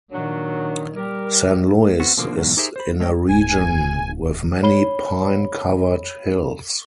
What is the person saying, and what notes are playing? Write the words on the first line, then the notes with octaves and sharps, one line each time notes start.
San Luis is in a region with many pine-covered hills.
A#2 D#3 F#3 D4
G3 G4 A#4
B3 C4 F#4
B2 D3 F3 A#3 C4
E2 G#2 B2 F#3
D#4 G4 G#4 A#4 C5 E5
C5 B5
G#3 A3 C#5 D#5 G5
D1 G#5
C#5 B5 G7